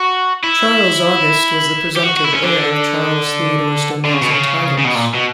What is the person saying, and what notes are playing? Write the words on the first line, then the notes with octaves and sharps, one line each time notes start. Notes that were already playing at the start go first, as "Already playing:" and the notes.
Charles August was the presumptive heir of Charles Theodore's domains and titles.
Already playing: F#4
E4
G4
F#4
F#4
E4
C#4
D3
D3
C#3
B2
C#3
C#3
B2
A#2
B2